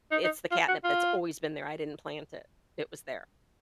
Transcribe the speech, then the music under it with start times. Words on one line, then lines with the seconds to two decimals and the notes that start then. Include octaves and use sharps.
it's the catnip that's always been there. I didn't plant it, it was there.
0.12 D#4
0.24 D#4
0.51 F4
0.68 F#4
0.84 F4